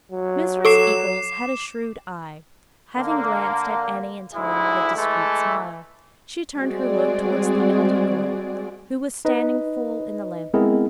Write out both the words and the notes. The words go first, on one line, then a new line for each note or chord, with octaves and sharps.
Mrs. Eagles had a shrewd eye; having glanced at Annie and Tom with a discreet smile, she turned her look towards the elder girl, who was standing full in the lamplight.
F#3
A4 C#6 D6 C7 E7
D3 A#3
D2 G#2 G#3 E4
E3 G#3 A3
G3 G#3 C4 F#4 G#4 D5
D#4 B4 D#5
G#3 B3 C4 E4 G#4 A#4